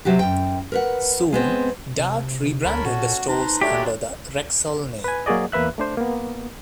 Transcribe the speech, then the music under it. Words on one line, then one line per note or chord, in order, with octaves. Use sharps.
Soon, Dart rebranded the stores under the Rexall name.
C3 F#3 F#4 G4
F#2 G5
A#4 B4 F#5
G#3 B3 C4
C3
D2 C#4 A4 A#4 B5
A#2 F#4
D#4 B4 C5 A5 A#5
F#3 G#3 A3 D4 G4 D5
B4 G#5
F#3 A#3 F#4 G#4 D5 D#5
E2 A#3 B4 E5 F#6
A3 D4 C5
A#3 B3